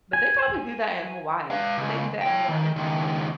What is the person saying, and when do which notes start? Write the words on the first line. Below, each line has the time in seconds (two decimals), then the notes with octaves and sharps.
but they probably do that in Hawaii. D do they do that in Hawaii?
0.13 G#5
1.50 B4 F5
1.78 C#2
2.21 C#5 G5
2.49 D#3
2.76 C#2 D#3